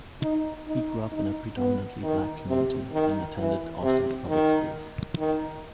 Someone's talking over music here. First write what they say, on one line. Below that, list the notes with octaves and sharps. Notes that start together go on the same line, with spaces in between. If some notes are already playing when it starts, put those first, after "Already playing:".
He grew up in a predominantly black community, and attended Austin's public schools.
D#4
D#4
D#4
B3
D#3
C3
D#3
E3
C3
D#3
D#3